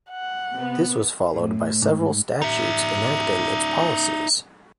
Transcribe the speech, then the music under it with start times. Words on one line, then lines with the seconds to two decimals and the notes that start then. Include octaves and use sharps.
This was followed by several statutes enacting its policies.
0.10 F#5
0.54 C3 B3
1.34 A2
1.82 G#2
2.42 D#4 E5